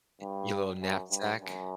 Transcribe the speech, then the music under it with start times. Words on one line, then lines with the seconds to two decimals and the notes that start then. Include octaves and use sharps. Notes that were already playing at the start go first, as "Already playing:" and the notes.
I your little knapsack.
0.21 G2
0.81 F#2
1.10 G2
1.41 F#2